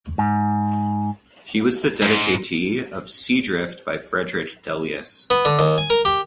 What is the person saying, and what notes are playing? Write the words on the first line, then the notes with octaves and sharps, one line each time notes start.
He was the dedicatee of "Sea Drift" by Frederick Delius.
G#2
G#2
B3
D3
D#2
G#5
A#4
G4